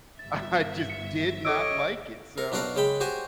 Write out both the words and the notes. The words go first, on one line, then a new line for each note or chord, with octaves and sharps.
I just did not like it, so
G1 E5 A6
C#7
A4 C#5 D#5 D6 E6 D7
A#4
B1 D4 F#4 D5 F5 F#5
C#3 G#3 G5 B5
F#4 G4 C5 G#5